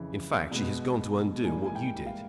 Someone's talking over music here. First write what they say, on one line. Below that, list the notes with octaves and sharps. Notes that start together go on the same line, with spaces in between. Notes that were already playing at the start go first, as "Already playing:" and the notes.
In fact she has gone to undo what you did.
Already playing: F2 C#3 E3
B2 G#3 B3
G#2 E3 G3 A#3 G#5
G#5
G5
F5